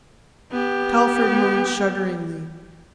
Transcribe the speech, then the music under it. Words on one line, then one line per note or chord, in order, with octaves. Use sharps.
Telford moaned shudderingly.
B3 G4